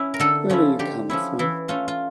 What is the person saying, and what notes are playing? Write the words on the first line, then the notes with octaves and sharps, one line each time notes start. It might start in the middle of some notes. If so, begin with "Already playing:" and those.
Where do you come from?
Already playing: C#4 E4
A#4
D3 A4
F3 C#4 E4
D3 G4
F3 C#4 E4
E3 E4
A3 C#4 F4
F4